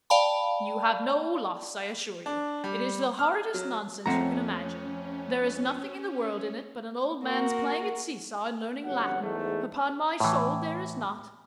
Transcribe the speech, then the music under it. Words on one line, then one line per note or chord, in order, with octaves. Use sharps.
"You have no loss, I assure you; it is the horridest nonsense you can imagine: there is nothing in the world in it but an old man's playing at see-saw and learning Latin; upon my soul, there is not."
D5 F5 G5 A5 B5
D4
G3
F6
F#3
F2 A3 C4 C#4 F#5 A#5
A#3 F#4 A#4
G1 F#3 C#4 F#5
E2 G#2 A3
A2 E3